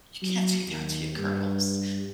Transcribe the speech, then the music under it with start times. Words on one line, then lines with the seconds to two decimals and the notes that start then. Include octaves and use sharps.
you can't do that to your girls.
0.22 F#3
0.67 D#2
1.17 G2